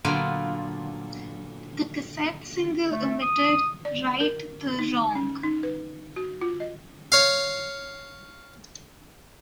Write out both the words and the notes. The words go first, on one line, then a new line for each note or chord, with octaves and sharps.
The cassette single omitted "Right the Wrong".
A#2 D3 F#3 B3 F4
A3
D#6
D5
A#4
D#4
C#4
D#4
B4
F#4
F4
D#5
C#5 F5